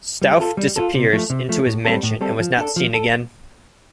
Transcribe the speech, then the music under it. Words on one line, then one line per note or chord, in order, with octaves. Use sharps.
Stauf disappears into his mansion and was not seen again.
G3
F4 A4
G3
F4 A4
C3
F3 A3
C3
F3 A3
A2
G3 C4 A4
A2
G3 C4 A4
F3
D4 A4
F3
A4